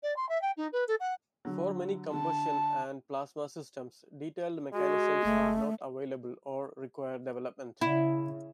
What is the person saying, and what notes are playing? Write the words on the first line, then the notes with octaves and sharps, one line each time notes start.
For many combustion and plasma systems, detailed mechanisms are not available or require development.
D5
C6
E5
G5
D#4
B4
A4
F#5
D3 F#3
D3 A5
G#3 F#4
F#1 A3
C#3 E4